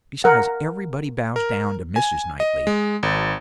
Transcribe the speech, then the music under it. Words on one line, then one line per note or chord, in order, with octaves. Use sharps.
Besides, everybody bows down to Mrs. Knightley.
A#4 F#5
A#4
G#5
D#5
G#3
G#1